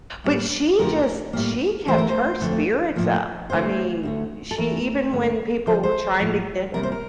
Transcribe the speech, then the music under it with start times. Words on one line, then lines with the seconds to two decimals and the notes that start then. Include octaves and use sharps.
But she just she kept her spirits up. I mean, she even when people were trying to get her
0.24 A2 G3 A#3
0.79 F2 D3 F3 A3 A#4
1.33 A2 G3 A#3
1.87 E2 E3 A3 C5
1.98 A#4
2.09 C5
2.41 F2 D3 A3
2.96 A2 F3 A#3
3.49 F2 D3 A3 C5
4.03 D2 D3 A3
4.51 A4
4.58 E2 E3 A3 A#4
5.11 G2 D3 A3
5.67 D2 D3 F3 C5
5.83 C5
6.20 A2 F3 A#3
6.74 E2 C3 G3 A#3 A#4
6.83 C5
6.92 A#4